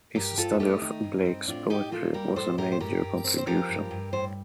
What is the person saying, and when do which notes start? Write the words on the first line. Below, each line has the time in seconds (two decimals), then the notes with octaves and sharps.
His study of Blake's poetry was a major contribution.
0.15 G2 G4 A#4
0.37 C4 F4 A4
0.60 A3 D#4 G4
0.81 D#3 D#4
1.03 G2
1.25 C4
1.48 A2 D4 F4
1.70 A2 D#4 G4
1.92 A#3 F4 A4
2.14 G3 G4 A#4
2.36 A2 A4 C5
2.58 A2 G4 A#4
2.72 C5
2.80 G2 G4 A#4
3.02 G2
3.24 C4
3.38 C5
3.46 F3 G4 A#4
3.69 G2
3.91 G2
4.13 A2 C5